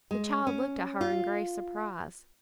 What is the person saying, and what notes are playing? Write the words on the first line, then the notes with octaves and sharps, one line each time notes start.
The child looked at her in grave surprise.
G#3
C#4
F4